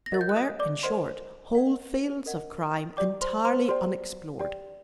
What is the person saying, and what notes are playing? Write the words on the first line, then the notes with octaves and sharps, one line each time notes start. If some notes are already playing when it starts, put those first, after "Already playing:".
There were, in short, whole fields of crime entirely unexplored.
A#6
A#4 D#5 F#5 A6
G6
F#6
D#5 D#6
D5 D6
A#4 C5 D#5 F#5 C6
A#4 D#5 F#5
A#4 D#5 F#5
G4 D5 G5 D6
C5 C6
C5 C6
G4 C5 D5 G5 C6
G4 D5 G5